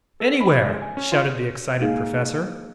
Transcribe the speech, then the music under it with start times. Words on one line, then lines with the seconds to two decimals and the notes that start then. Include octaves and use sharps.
"Anywhere!" shouted the excited Professor.
0.20 A4
0.41 B5
0.63 G#3
0.82 G#5
0.97 C#4
1.12 F4
1.81 G#3 A#3 D#4 G#4 F5